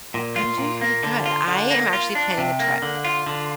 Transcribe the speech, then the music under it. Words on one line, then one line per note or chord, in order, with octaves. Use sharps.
I'm doing pretty good. I am actually planning a trip,
A#2
F4
A#2
A#3
D3
F4
D3
A#3
F4
D4
C3
A#3
D3
F4
D3